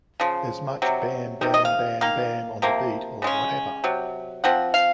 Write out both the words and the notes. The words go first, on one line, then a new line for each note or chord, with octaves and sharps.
As much 'bam-bam-bam-bam' on the beat or whatever.
C#3 F3
C3 F#3
C3 D#3
D#5
F5
D#3 A#3 F5
C3 F3 A#3
C#3 G#3 C#4
C3 F#3
F3 C4 F#5
F5